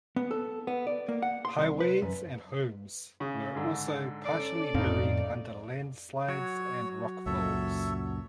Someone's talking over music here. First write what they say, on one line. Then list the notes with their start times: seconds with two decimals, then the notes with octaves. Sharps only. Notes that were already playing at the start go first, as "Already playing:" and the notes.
Highways and homes were also partially buried under landslides and rockfalls.
0.16 B3
0.31 A4
0.67 B3
0.87 D5
1.08 A#3
1.22 F#5
1.45 C6
1.58 C2
1.80 B4
2.02 F#2
3.20 C#3
3.55 G#2 D3
4.26 C#4 A4 D5
4.74 F2 A2 C4 D#4 F5
6.29 F#3 F#4 C#5
7.26 C#2 F#2 A#2 A4 C#5 E5